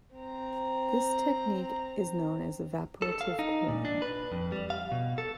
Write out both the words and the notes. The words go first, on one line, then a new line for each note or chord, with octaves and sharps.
This technique is known as evaporative cooling.
C4 A#5
A4
F5
D#4
A#2
D4
B4
F2
G3
F5
B2
A4